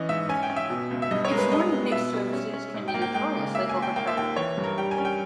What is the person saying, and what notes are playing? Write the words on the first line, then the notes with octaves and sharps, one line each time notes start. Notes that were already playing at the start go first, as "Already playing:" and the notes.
Its morning peak services can be notoriously overcrowded.
Already playing: E3 C#4 D#5
G#2 E5
C#4 G#5
G5
C#4
E5
B2
C#2
E5
G2 D#5
C#5
G#3 A#4
B4
G3 D#5
B3
B2 E5
G3
C#4
C#4
G#2
G5
A#3
G5
G#3 G5
C#3
A#3 E5
G#5
A#3
G5
A#3 G5
E5
D#2 G5
E3 C#5
G2
A#4
G3 G5
G#5
C#4
G5